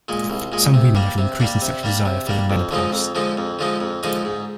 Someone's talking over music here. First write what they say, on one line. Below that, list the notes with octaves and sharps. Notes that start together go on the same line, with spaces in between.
Some women have an increase in sexual desire following menopause.
A#2 G#3
C2
A#2 G#3
C3
G3 A#3 D4
C3
G3 A#3 D4
C3
G3 A#3 D4
C3
G3 A#3 D4
F2
D3 F3 G#3 D#4
F2
D3 F3 G#3 D#4
F2
D3 F3 G#3 D#4
F2
D3 F3 G#3 D#4
G#2